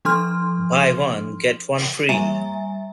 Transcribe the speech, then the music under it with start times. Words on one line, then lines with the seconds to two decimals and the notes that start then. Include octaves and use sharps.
Buy one, get one free.
0.05 F3 D4 A4 C6 F6
2.09 G3 A#3 E5 G#5 A#5 A6